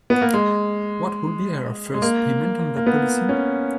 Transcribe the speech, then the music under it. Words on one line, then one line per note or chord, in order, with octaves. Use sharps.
What would be her first payment on that policy?
B3
A#3
G#3
G#3
A#3
A#3
B3
C#4